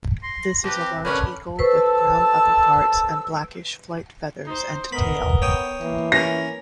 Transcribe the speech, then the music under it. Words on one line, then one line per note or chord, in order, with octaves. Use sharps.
This is a large eagle with brown upperparts and blackish flight feathers and tail.
C6 A#6
A#6
F3 G4 B4
C4
D3 A3 C#4 A#4 B4 C#5 B5
C2 A4 B4 C5 A5 C#6 E6
D#4 C5
B3 A#4 D#5 B5
C#5 G5 D#6
E3 A#3
C#4 A#4 A#6